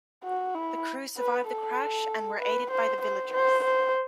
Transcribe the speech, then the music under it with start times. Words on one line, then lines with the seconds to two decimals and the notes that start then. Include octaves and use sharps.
The crew survived the crash and were aided by the villagers.
0.24 F#4
0.54 E4
1.17 B4
1.48 A4
2.40 B4
2.71 C5
3.02 C5
3.33 C5
3.64 C5